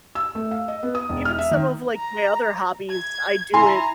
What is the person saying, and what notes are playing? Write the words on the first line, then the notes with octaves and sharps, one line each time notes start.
Even some of like my other hobbies I do it
E6
A3
F5
D#5
B3
D#6
E1
F6
E5
D#3
A#5
G#6
E4 G#5 A#5 C6